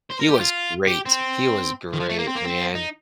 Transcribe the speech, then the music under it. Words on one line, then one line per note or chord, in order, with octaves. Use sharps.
he was great. He was great, man,
C5
A#4
G4
F4
G4
C4
D#3
F3
A3
A#3
C4
A#3
C4
D#4